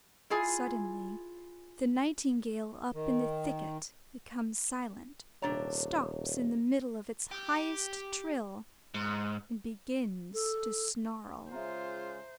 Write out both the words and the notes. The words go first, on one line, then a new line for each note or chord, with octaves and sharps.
Suddenly the nightingale up in the thicket becomes silent, stops in the middle of its highest trill, and begins to snarl.
E4 F4 G#4 G#5
D#3
D#1 C3 D4 C#5 A#5
G4
G#2
A4
C#3 G#3 F4 C5 E5 A#5